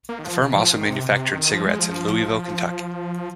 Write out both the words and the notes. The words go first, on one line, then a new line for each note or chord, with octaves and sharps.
The firm also manufactured cigarettes in Louisville, Kentucky.
A#3
D#3
F3
C3
F3
D#3
C3
C3
D#3
F3
G#3
F3